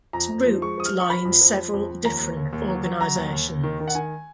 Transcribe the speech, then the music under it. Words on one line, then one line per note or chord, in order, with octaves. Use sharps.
Its roots lie in several different organisations.
F2 A#5
F2
F3
G#3 C#6
F3 D#6
F6
F3
C#6
F3 B5
F2
F3
F3
F2
F2
D#2 A#5
D#2
D#2
D#2
F#3
F#3
F#3 A#5
D#2
D#2
D#2
D#3
D#3
F#5
D#3 G#5